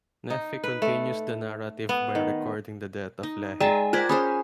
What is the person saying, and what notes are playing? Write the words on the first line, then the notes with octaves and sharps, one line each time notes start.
Nephi continues the narrative by recording the death of Lehi.
D#4
B4
A3
B3
D#3
D#4
G#3 D5 G5 A5 A#5
F4 A#4 C5 D5 G#6 B6
C#4 G#4 C5 B5 D#6